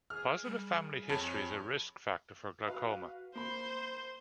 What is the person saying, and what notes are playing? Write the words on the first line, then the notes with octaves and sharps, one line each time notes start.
Positive family history is a risk factor for glaucoma.
G#4 F6
G3
F2 C#5 A5
F#4 B4 F5
A#3 C5 B5